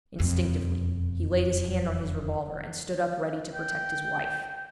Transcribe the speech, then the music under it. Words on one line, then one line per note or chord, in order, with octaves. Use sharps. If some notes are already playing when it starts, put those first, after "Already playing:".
Instinctively he laid his hand on his revolver, and stood up ready to protect his wife.
E1 F2
G5